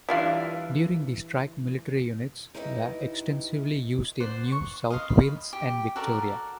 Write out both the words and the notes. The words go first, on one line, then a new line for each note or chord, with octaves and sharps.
During the strike military units were extensively used in New South Wales and Victoria.
E3 G3 D4 E4 F4 F5
D#4 E4 G4 B4 C#5 D#5
C5 D5 F#5
C#6
D#5 F5 C6
B5
G4
F#4 A4 A#4 D5